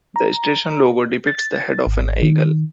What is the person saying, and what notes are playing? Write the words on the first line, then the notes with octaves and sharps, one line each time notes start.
The station logo depicts the head of an eagle.
A#5
A6
G#1
D#3